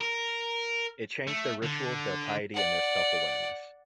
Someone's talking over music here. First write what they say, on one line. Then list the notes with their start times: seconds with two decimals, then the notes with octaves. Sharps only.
It changed their rituals, their piety, and their self-awareness.
0.01 A#4
1.28 A3
1.63 D3
2.55 D5 F#5